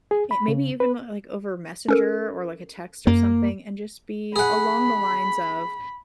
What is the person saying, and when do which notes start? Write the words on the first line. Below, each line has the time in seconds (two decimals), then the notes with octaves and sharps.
It maybe even like over messenger or like a text or something and just be along the lines of,
0.11 G#4
0.31 B5
0.48 C#3
0.80 B4
1.88 C#4 A4 A#4
3.07 F#2 A#3
4.36 G#4 F#5 B5